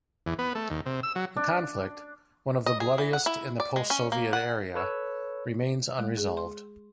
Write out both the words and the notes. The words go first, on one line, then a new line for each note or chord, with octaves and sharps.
The conflict, one of the bloodiest in the post-Soviet area, remains unresolved.
E2
B3
A3
D#2
C3
E6
F#3
D4
D#5
G#4
E3
F#5
E4
D5
G#3
C#4
A#3
F#5
A4 B4 C#5 E6
G#3
G#4
C6